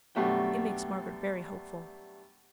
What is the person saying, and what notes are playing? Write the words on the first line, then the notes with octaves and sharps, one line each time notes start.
It makes Margaret very hopeful.'
F#2 B2 G3 A3 D4 G5